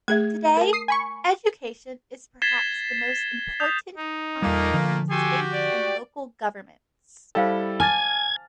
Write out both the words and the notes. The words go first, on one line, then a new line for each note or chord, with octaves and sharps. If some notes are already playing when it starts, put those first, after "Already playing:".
Today, education is perhaps the most important function of state and local governments.
A3 G#4 E5 G#6
A#4 A5
D#6 C7
G#5 B5 C#6
G#6 A6 B6 C7 E7 G7
D#6 G6 F7
D#4
E2 A#2 G3 A3 A#3
D3 F3
F#4 G4 A4 G#5 C6
D5
G3 E4 A4 C5 F5 G5
G#5 A5 D6 F6 G#6 A6